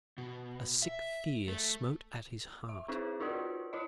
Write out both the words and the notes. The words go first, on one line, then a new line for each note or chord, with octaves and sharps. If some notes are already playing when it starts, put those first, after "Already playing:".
A sick fear smote at his heart.
B2
E5
A3
E5
C4 D#4 E4 G#4
D4 D#4 F4 F#4 A#4
E4 F4 C#5 D#5